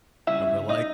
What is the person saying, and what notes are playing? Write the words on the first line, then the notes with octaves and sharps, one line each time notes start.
And we're like,
C#3 G3 C#4 E4 E5
D#4 D#5